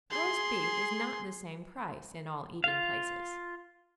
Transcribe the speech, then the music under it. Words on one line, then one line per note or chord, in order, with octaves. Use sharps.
Roast beef is not the same price in all eating-places.
G#4 C6
F4 F5